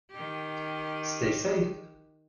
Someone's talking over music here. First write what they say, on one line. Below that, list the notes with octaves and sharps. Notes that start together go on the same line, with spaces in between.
Stay safe.
D#3 G4